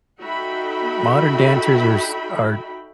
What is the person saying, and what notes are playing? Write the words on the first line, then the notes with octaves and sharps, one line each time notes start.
modern dancers are s are
D#4 F#4 A4 E5 G5 B5